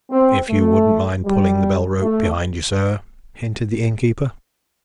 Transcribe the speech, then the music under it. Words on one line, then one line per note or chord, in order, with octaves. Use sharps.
"If you wouldn't mind pulling the bell-rope behind you, sir," hinted the innkeeper.
C4
A3
G3
A3